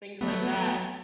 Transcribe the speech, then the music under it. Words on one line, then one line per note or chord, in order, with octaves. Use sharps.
things like that.
F#3 A3 B3